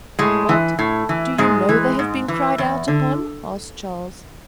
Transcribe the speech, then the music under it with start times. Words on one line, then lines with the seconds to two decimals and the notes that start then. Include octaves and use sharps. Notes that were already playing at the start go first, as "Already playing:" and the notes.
"What! do you know they have been cried out upon?" asked Charles.
0.19 A2 G#3
0.49 E3
0.79 A2
1.09 E3
1.38 G#2 G#3
1.69 E3
1.99 G#2
2.28 E3
2.58 E2
2.88 D3